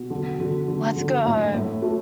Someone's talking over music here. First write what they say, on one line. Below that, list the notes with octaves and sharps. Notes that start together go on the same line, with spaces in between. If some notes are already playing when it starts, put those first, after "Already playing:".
Let's go home.
Already playing: B2
D3
D3
D3
D3
A2
A2
A3